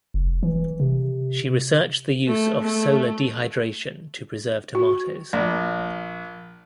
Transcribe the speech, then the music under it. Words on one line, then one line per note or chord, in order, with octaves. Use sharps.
She researched the use of solar dehydration to preserve tomatoes.
F1
E3
C3
A3
A3
F#4
A#1 D5